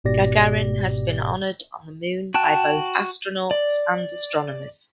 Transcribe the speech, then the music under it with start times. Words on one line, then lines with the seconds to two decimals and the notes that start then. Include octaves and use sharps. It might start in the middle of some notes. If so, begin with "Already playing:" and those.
Gagarin has been honored on the Moon by both astronauts and astronomers.
0.04 G1 G#2 B2 G4 D5 A#6
2.34 F#4 G5 A5 F#6
3.51 D5